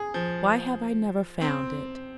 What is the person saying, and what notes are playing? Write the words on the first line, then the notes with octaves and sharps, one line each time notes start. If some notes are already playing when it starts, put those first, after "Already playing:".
'Why have I never found it?'
Already playing: G#4
F3
C4